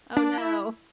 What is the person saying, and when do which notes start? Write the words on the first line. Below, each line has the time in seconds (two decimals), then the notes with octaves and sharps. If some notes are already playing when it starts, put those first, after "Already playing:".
Oh, no.
0.17 D4
0.38 E4